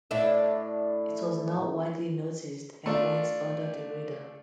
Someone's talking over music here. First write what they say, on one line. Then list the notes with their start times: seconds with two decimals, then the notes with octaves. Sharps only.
It was not widely noticed and went under the radar.
0.11 A2 D4 E4
2.86 A3 D4 F4